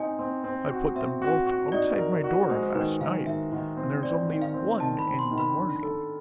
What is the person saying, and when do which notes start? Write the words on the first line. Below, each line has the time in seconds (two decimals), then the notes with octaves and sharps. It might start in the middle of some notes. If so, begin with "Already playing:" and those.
I put them both outside my door last night, and there was only one in the morning.
Already playing: C4 D#4 G#5
0.19 C4
0.44 C4
0.70 F#4
0.95 C4 E5
1.22 F#4
1.47 F#4
1.72 D#4 D5
1.98 A#4
2.24 F#4
2.50 G#3 C5
2.63 C5
2.75 D#3 B4
3.00 D#3 F5
3.26 D#3 E5
3.52 D#3
3.77 C4
4.03 C4 D5
4.29 D#3
4.42 F5
4.54 C4
4.80 D#3 A5
4.99 B5
5.05 C4
5.19 C6
5.31 D#3
5.38 B5
5.57 D4
5.83 A4